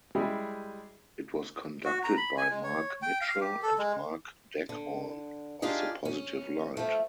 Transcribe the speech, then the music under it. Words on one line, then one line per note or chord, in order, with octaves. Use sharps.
It was conducted by Marc Mitchell and Mark Daghorn of The Positive Light.
G3 G#3 E4 G4 G#4
F#4
A#5
B5
G#5
G#3
C#5
G5
F5
G4
A4
G#3
D3
D4 D#4 F4 G4 G#4
C#4
F3 A3